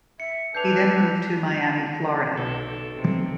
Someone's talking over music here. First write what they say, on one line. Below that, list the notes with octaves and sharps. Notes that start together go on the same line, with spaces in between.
He then moved to Miami, Florida.
E5 C#7
D4 A4 B4 G#5 D6 G6 C7 F7
B1 A4
C3